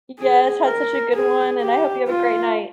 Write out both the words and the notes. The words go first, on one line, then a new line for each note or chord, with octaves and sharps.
Yes. Had such a good one, and I hope you have a great night.
G#4
A#4
G#4
G4
F4